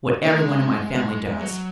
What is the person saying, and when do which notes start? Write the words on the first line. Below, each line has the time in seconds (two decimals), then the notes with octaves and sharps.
What every one in my family does.
0.25 A#3
0.37 G#3
1.40 F#3